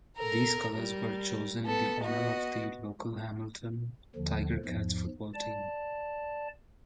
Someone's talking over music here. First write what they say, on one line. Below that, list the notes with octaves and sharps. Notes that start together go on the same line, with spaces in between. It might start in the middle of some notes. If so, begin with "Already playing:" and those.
These colours were chosen in honour of the local Hamilton Tiger-Cats football team.
A4 A#4 A#5
G3 A#4
B3 A4 A5
B3 F#4 D#5
D#2 D3 F3
E2 G#2 F3
D5 A5